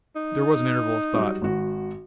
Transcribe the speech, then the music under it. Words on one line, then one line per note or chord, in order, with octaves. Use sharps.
There was an interval of thought.
D#4
F#3 G3 F#4
G#1 F#4